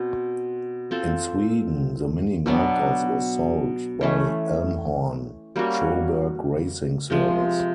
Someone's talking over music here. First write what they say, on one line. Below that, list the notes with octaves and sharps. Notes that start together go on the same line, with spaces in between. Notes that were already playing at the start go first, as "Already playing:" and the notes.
In Sweden the Mini Marcos was sold by Elmhorn-Troberg Racing Service.
Already playing: B2 C4
C4 F4 A4
B2 F#3 B3 D4
E3 A3 C#4
G3 A#3 C#4 F#4
C3 F3 G#3